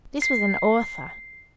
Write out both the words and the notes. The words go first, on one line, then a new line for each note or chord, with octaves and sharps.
This was an author.
C7